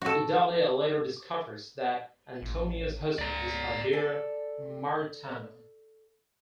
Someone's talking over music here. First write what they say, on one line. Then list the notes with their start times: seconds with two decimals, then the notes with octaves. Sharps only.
Idalia later discovers that Antonia's husband is her dear Myrtano.
0.02 F#4 A4
2.42 A1
3.19 C#2 D5 A#5
3.93 A4 D5 G#5